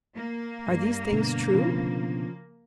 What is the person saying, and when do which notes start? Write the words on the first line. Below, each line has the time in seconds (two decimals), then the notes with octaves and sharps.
"Are these things true?"
0.15 A#3
0.67 G2
1.12 B2 D3
1.52 C#3 F3